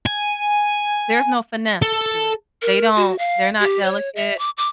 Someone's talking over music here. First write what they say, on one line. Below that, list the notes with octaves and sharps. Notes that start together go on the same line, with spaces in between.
there's no finesse to it, they don't they're not delicate,
G#5
A4
A#4
F#4
F5
G4
C#5
E5
D6
D6